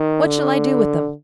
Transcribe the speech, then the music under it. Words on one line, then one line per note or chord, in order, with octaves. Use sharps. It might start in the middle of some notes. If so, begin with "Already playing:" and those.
What shall I do with them?'
Already playing: D#3
D3